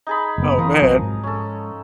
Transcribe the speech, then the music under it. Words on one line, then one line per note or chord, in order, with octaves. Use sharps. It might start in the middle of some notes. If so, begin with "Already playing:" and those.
Oh, man.
D#4 G#4 B5
F#1 B3
E3 F3 A#4 D#6
B1 F#3 C4
G#2
C#4 A4